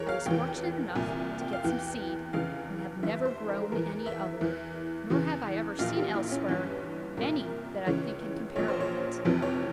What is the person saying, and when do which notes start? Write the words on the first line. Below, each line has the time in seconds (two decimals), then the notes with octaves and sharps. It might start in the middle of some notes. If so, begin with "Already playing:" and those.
I was fortunate enough to get some seed, and have never grown any other, nor have I ever seen elsewhere any that I think can compare with it.
Already playing: E2 E3 G#4 A#4 C#5
0.09 F5
0.26 F1 E2 E3 G5
0.95 C2 A#2 G#5
1.41 G5
1.53 F5
1.64 E2 E3 G5
2.33 F1 E2 C#3 E3 F5
3.03 G1 G2 E3 E5
3.25 C5
3.49 A#4
3.60 G#4
3.72 E2 E3 A#4
4.06 E5
4.41 E2 E3
5.10 E2 C#3 E3
5.79 A#1 A#2 F5
5.96 G4
6.14 E4
6.31 C#4
6.48 G1 G2 E3 C#4
7.17 C2 A#2 A#4
7.86 C#2 C#3 E3 C#5
8.56 A#1 A#2 C#5
8.68 C5
8.80 C#5
9.25 F1 F2 C3 E3
9.42 C#5